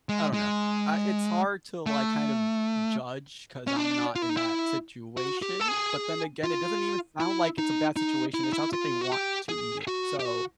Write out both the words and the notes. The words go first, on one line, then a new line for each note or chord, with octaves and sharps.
I don't know. I It's hard to, like, kind of judge 'cause I'm not in that situation, but then again, it doesn't even sound like it's a bad situation; it sounds like they want to eat it so,
G#3
G#3
A3
C#4
D4
F4
E4
D#4
E4
F#4
G4
A4
G#4
F4
E4
D#4
D#4
E4
D#4
E4
F4
F#4
G4
G#4
F#4
G4
F#4